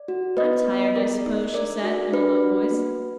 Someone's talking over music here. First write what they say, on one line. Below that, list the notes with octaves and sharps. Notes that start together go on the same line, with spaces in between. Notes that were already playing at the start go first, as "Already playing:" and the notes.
"I'm tired, I suppose," she said, in a low voice.
Already playing: D5
F#4
B3 B4 D#5
B3
D#5
G#4 A#4 D5
D#4
D4 A#4 D5
F#4
D4 B4
F#4
A#3
A#3